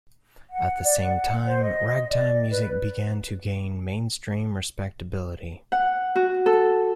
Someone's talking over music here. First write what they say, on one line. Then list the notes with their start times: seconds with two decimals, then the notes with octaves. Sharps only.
At the same time, ragtime music began to gain mainstream respectibility.
0.50 F#5
0.84 D5
1.00 F#5
1.46 C5
1.62 D#5
2.10 D5
2.50 B4
5.72 F#5
6.16 F#4
6.46 A4